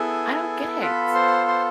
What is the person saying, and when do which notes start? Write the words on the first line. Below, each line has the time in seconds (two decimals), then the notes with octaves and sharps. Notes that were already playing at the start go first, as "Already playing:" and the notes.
I don't get it.
Already playing: B3 E4 G#4 A4 G#5
0.81 B3 F4 A4 B4 B5
1.14 C5 C6
1.47 C5 C6